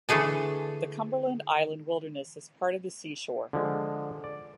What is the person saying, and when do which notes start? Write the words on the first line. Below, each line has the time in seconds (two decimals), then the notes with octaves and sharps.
The Cumberland Island Wilderness is part of the seashore.
0.09 D3 E3 A3 G#4 A5
3.53 D3 F3 G#3
4.24 D5